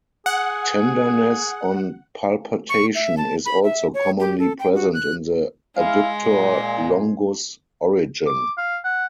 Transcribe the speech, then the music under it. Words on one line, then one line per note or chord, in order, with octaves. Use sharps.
Tenderness on palpation is also commonly present in the adductor longus origin.
G#4 F#5
C#6
E5
A5
B5
E5
C#5
G4
A4
G5
F#4
F#6
G#3 E4 F5
A#2
D6
F5
F#5